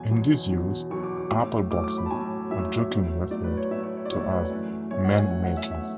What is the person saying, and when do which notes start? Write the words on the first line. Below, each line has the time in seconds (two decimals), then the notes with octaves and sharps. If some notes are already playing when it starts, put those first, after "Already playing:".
In this use Apple Boxes are jokingly referred to as "Man Makers".
Already playing: E2 B2 F#3 G#5
0.11 E2 B2 F#3
0.50 E2 B2 F#3
0.90 E2 B2 F#3 C#6
1.03 D6
1.17 D6
1.30 A2 F#3 A3 D6
1.71 A2 F#3 A3 D6
1.84 D6
1.98 B5
2.06 A5
2.10 A2 F#3 A3 G#5
2.50 A2 F#3 A3 E5
2.90 A2 F#3 A3
3.30 A2 F#3 A3 D5
3.44 B4
3.57 C#5
3.70 A2 F#3 A3 E5
3.83 C#5
3.97 C#5
4.06 D5
4.10 A2 F#3 A3 C#5
4.31 B4
4.50 F#2 E3 A3
4.91 F#2 E3 A3 C#5
5.04 F#5
5.18 G#5
5.30 F#2 E3 A3 F#5
5.44 F#5
5.57 E5
5.71 E3 A3 E5